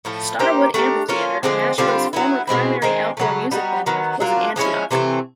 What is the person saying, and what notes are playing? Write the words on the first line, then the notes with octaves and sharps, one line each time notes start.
Starwood Amphitheatre, Nashville's former primary outdoor music venue, was in Antioch.
A2 F3 A3
A#3 D#4 G4 C5
A3 D4 G4 A#4
A#3 C#4 F4 A4
D3 F3 G#3 C4
D3 G3 C4 F4
F#3 B3 E4
B2 G#3 C4 E4
D#3 G#3 C4
C#3 F#3 A3
G3 B3 D#4 F#4
D#3 F#3 B3
F#3 A#3 D4 F4
F3 G#3 C#4 E4
C3 E3 A3 C4